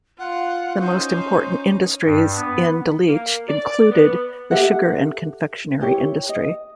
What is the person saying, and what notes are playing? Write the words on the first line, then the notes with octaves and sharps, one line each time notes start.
The most important industries in Delitzsch included the sugar and confectionery industry.
F4 F#5
C#4 D#4 C5
G2
B3
A#3
D5
B3
G4 A4 E5 F#5
E4 G4 C#5
D#5